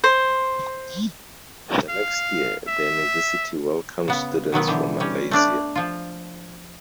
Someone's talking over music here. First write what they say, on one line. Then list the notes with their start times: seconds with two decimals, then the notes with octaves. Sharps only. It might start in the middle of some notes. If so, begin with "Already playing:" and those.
The next year, the university welcomed students from Malaysia.
0.04 C5
1.89 F5
2.68 E5
4.08 C#3 B3
4.52 B2 D#3 F#3 B3
4.68 D3 E3 G3
5.00 G3 C#4
5.31 A3 D4 D5
5.76 F3 F4